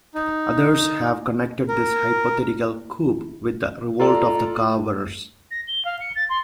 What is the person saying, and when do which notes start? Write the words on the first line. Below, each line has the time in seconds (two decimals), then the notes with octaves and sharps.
Others have connected this hypothetical coup with the revolt of the Kabars.
0.14 D#4
1.68 A#4
4.00 F4 A4 D5 A#5
5.50 A#6
5.67 G7
5.84 F5
5.99 C#7
6.15 A6
6.29 C6